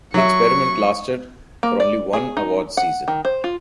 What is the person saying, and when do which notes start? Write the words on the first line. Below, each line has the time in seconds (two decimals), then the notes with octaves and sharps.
The experiment lasted for only one awards season.
0.14 F#3 E5 C#6
1.63 A#3
1.80 D5
2.13 G#4
2.37 D#4
2.77 F#5
3.08 D#3
3.25 C5
3.44 F4